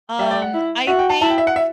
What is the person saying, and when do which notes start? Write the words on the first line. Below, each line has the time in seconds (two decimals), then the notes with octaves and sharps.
Um, I think
0.19 G3 E5
0.31 D5
0.42 F#5
0.54 E4
0.87 F#4 E5
0.99 G5
1.09 A5
1.21 E4 A5
1.30 G5
1.38 E5
1.47 F#5
1.56 E5